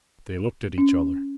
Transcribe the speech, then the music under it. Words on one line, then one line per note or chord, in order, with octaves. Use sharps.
They looked at each other.
C#4